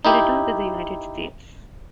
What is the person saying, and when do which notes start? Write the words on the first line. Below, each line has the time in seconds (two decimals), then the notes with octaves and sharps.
He returned to the United States.
0.05 D#4 E4 G4